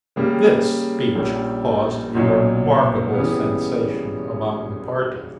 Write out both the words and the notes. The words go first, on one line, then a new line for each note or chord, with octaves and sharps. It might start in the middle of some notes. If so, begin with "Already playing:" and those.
This speech caused a remarkable sensation among the party.
C#3 G3 A#3
A#1 A#2 G3 C#4
B1 A#2 F#3 C#4
C#3 E3 G3 B3